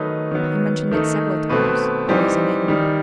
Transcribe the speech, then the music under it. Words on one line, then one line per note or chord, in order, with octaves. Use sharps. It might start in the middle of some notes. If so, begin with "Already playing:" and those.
"He mentioned it several times, always in anger."
Already playing: D#3 F#3 A3 D#4 B4
D#3 F#3 B3
D#3 A3 D#4
B2 A3 C4 B4
E3 G3 C4 D#4
D#3 G3 D#4